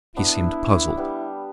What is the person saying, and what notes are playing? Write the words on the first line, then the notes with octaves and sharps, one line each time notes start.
He seemed puzzled.
B3 D4 E4
G3 B3